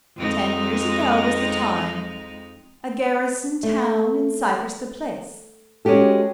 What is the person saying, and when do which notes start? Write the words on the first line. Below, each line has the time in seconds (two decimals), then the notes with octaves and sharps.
Ten years ago was the time, a garrison town in Cyprus the place.
0.16 F2 G#3 D#4
3.63 A3
5.85 G#3 C#4 F#4 G4 A4